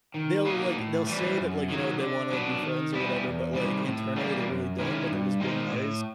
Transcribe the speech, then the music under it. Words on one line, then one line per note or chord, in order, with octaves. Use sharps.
they'll, like they'll say that, like, you know, they wanna like be friends or whatever, but, like, internally they really don't, but they're just being nice.
D#3
F#3 A#3 D#4
A2
E3 G3 C4
F#2
D#3 F#3
D3
F#3 B3 D4
D#3
G3 B3 E4
E2
C3 D#3 G3
A2
E3 G3 A#3
F#2
D#3 G#3 C#4 E4
G2
D#3 G#3 C4 D#4
A2